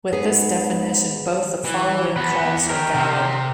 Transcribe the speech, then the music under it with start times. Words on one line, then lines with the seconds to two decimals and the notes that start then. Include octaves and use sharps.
With this definition, both the following calls are valid.
0.13 G#2 B3 G#4
1.65 E3
2.16 E2 B3 B4
2.70 G4 A#4
2.96 C3